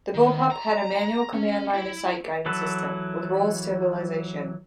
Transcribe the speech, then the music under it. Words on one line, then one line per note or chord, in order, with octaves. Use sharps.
The Bullpup had a Manual Command Line Of Sight guidance system with roll-stabilization.
D#3
A#5
C#4
E4
E3 F#3 A4 B4